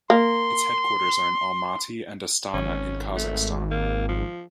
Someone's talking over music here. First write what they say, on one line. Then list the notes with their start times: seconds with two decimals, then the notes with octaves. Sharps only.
Its headquarters are in Almaty and Astana in Kazakhstan.
0.10 A#3 C6
2.54 G#1 C#4
3.16 A3
3.71 A#3
4.09 F3